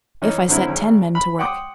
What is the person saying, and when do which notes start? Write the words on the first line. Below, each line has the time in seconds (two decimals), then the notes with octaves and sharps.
"If I set ten men to work."
0.22 E3 C#4 D#4
0.48 D3 F#3 C4 C#4 E4
0.69 G#1
1.15 B5
1.39 F#5 G5 C6 D6 D#6